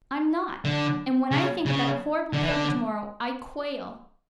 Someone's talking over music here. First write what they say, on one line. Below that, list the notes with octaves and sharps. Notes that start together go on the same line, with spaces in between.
I'm not--and when I think of that horrible paper tomorrow I quail.
D3
C#3
C#3
D3
E3
D3